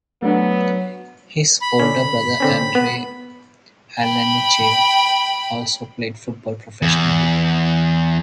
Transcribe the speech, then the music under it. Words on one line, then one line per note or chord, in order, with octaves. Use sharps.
His older brother Andrei Alenichev also played football professionally.
F#3 A3 B3 D4
B5
D3 C#4
D3 C4 C#4
B3
G5 B5
E2